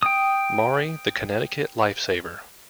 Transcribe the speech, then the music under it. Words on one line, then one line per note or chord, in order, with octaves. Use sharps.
Maury the Connecticut life-saver.
G5 D#6